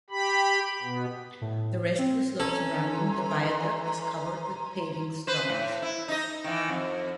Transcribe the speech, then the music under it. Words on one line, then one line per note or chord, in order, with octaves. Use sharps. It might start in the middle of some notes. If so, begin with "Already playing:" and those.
The rest of the slope surrounding the viaduct is covered with paving stones.
G4 B5
B2 B3
A2
C4
E3 C#4 A4 A#5 C6
B4 C5
A2
E4
D#4 D#5
D#3 E3
F2